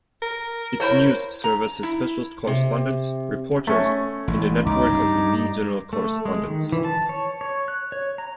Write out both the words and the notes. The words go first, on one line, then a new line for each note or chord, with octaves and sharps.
Its news service has specialist correspondents, reporters and a network of regional correspondents.
A#4
E4 A#4 C5 C#5
A#5
E4
C3
A3 C#4
A1
C#2 D#4 D6
G2
A3
G#3
D#3
E3
A5
C#5
C#5
F#6
C#5
A#5